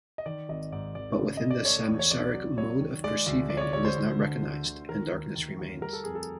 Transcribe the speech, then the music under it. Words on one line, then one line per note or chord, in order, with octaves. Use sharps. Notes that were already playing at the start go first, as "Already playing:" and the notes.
But within the samsaric mode of perceiving, it is not recognised, and darkness remains.
D#5
D#3 D5
G#1 D#5
G#2 D5
G#1 D5
C#3
A3 D#5
D5
A3 C#5
E2
C#5
C2 D5
F#3
F#3 C#5
D#3
G#3 D5
D2
G#3 D5
C#5
D5
D2 C#5
C5
D2
D3
D2
D2
D#3 A#4
D#2
D#3
D#2
G3 A#4
A4
F2 G#4
A4